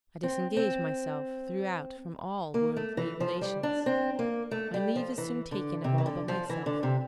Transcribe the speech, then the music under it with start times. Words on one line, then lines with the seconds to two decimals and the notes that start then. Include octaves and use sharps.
I disengage myself throughout from all worldly relations; my leave is soon taken of all but myself.
0.23 C4
0.57 C4
2.54 A#3
2.76 A3
2.97 E3
3.20 F3
3.41 G3
3.63 D4
3.86 C4
4.19 A#3
4.51 A3
4.74 G3
4.96 F3
5.18 E3
5.51 D3
5.84 C3
5.98 E3
6.06 D3
6.28 F3
6.49 E3
6.66 D3
6.83 C3